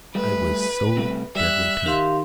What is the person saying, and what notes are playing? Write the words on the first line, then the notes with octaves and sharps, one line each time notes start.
I was so deadly tired.
G3 A3 B4
C3 G3 A3
G3 E5 F#6
D#3 G4 F5 C6